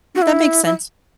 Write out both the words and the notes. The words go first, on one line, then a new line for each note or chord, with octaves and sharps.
that makes sense.
F#4
E4
E4